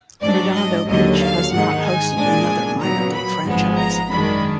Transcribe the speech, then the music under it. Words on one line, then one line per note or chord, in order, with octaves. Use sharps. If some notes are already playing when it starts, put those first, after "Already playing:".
Redondo Beach has not hosted another minor league franchise.
G#2 F#3 D4 D5
D#5
D#2 D3 F#3 D#5
F5
G#2 D#3 G#3 D#4 F#5
G#5
A#2 G#3 D4
A#2 F#3 B3 A#5
B5
G#1 G#2 F3 G#3 B3
A#5
F#2 D#3 G#3 D4 B5